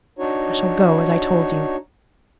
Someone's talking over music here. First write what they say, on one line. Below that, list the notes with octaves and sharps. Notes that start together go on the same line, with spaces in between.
I shall go, as I told you.
D4 D#4 F#4 C#5